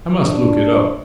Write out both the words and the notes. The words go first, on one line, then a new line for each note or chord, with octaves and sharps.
I must look it up.
D4